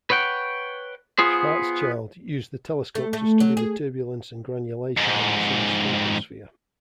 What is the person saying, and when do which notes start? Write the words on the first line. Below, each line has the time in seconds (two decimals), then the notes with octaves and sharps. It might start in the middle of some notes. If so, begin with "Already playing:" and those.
Schwarzschild used the telescope to study the turbulence and granulation in the Sun's photosphere.
0.10 B4 C#5 F#5 G5
1.18 B3 F4 G#4 C5
2.95 A3
3.13 A3
3.40 F#3
3.57 G#4
4.97 F2 G#2